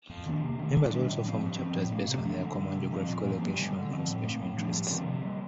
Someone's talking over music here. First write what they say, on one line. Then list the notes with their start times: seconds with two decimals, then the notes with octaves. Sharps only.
Members also form "chapters" based on either common geographical location or special interests.
0.10 F2
0.26 D#3 A#3 D4
0.43 C3
0.59 D#3 A3
0.76 G2
0.93 D3 G3 D4
1.09 A2
1.26 F3 C4
1.42 G2
1.59 F3 C4
1.76 A2
1.91 A3 C4
2.08 C3
2.25 F3 A3 D4
2.42 D3
2.58 G3 D4
2.75 C3
2.91 F3 C4
3.08 A#2
3.24 F3 A#3
3.41 G2
3.58 D3 G3
3.75 D3
3.91 F3 C4
4.08 A2
4.24 A3 C4
4.41 A2
4.58 F3 A3 D4
4.74 G2
4.90 D3 F3 C4
5.07 C3
5.23 G3 A#3